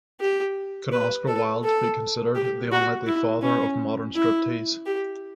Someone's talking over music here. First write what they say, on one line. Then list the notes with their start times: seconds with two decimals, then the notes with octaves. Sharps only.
Can Oscar Wilde be considered the unlikely father of modern striptease?
0.20 G4
0.92 B4
1.28 A4
1.64 A4
2.36 G4
2.72 F#4
3.07 E4
3.43 C#4
4.16 E4
4.86 G4